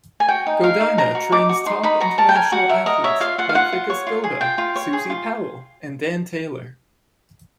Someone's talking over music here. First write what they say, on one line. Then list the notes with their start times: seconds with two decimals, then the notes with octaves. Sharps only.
Godina trains top international athletes like Vikas Gowda, Suzy Powell and Dan Taylor.
0.20 G#5
0.29 F#4 G5
0.47 D#4
0.63 A#4 F5
0.81 D#4
0.98 A#4 A#5
1.15 F#4
1.32 D#4 D6
1.49 F#4
1.66 D#4 C6
1.83 D#4 B5
2.01 F#4 A#5
2.18 A#4 A5
2.29 G5
2.35 A#4 G#5
2.52 F#4 F#5
2.69 A#4 E5
2.86 A#4 D#5
3.04 C#5 E5
3.20 F4 F5
3.38 F4 F#5
3.49 F5
3.55 F4 F#5
3.72 F4
3.90 C#5
4.07 F4
4.24 G#4
4.41 F4 G5
4.58 F4
4.76 C#5
4.93 G#4
5.10 F4